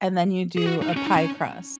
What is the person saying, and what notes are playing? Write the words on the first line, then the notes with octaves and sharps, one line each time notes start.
and then you do a pie crust
G#4
F#4
D#4
C#4
D#4
C#4